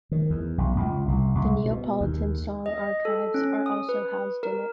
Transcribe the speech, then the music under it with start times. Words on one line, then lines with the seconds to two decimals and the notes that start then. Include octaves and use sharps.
The Neapolitan song archives are also housed in it.
0.11 D#3
0.30 E2
0.58 B1
0.76 C#2
1.08 C2
1.35 C2
1.65 B2
2.01 D#2
2.66 D#5
3.05 A4
3.34 C#4
3.66 D#6
3.89 B4
4.43 A#4